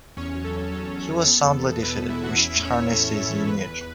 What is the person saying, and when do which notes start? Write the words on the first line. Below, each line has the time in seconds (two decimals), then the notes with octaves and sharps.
He was soundly defeated, which tarnished his image.
0.17 E2 C#4 C#5
0.35 F#3
0.44 A4
0.55 E2
0.72 F#3 A4
0.91 F#3
1.09 F#3
1.27 B3
1.45 E2
1.65 E2
1.83 B2 B4
2.01 E2
2.09 E4 E5
2.20 E2 F#4 F#5
2.38 C#4 E4 E5
2.57 A2
2.65 C#4 C#5
2.74 A2
2.93 A2 A4
3.11 A2
3.30 E3
3.48 E2 B4
3.67 E2